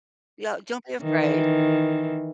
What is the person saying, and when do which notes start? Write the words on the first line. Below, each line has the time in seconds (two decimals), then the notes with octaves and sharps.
Yeah, don't be afraid.
1.02 D#3 E3